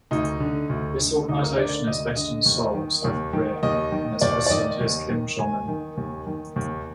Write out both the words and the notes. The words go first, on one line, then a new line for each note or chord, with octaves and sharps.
This organization is based in Seoul, South Korea and its president is Kim, Jong-Yun.
D2 D#4
D3
D2
D3
D2 D#4
A#4
D3 D5
D2 D#5
D3 D#5
D#2
D#3
D#2
D#3
D#2 D#5
D#3
D#2 D5
D5
D#3 D#5
D#2
D#3
D#2 G#5
D#3
D#2
D#3
D#2